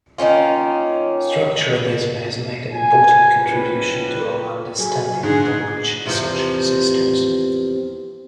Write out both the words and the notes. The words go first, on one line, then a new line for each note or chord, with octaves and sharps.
Structuralism has made an important contribution to our understanding of language and social systems.
D#3 A#3 C#4 F4
G#5
F#1 F3 G3 B4
A4 B4 C#5 G5
F#3 G#4 G#5
G#2 D3 G#4
E2 C3 F3